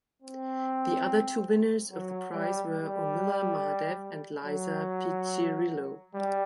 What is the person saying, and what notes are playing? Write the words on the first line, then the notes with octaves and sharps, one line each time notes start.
The other two winners of the prize were Urmila Mahadev and Lisa Piccirillo.
C4
F#3
G3
G3
F#3
G3